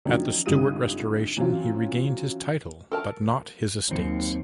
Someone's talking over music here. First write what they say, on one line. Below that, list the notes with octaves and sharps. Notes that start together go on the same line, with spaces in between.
At the Stuart Restoration he regained his title but not his estates.
D#3 F3 F#3 A3 C#4 D4
G#1 D3 G3 F4 D#6 D#7
E3 F#3 C4 C#4 F4
A4 A#4 A5
D#2 D#3 F#3 C4 C#7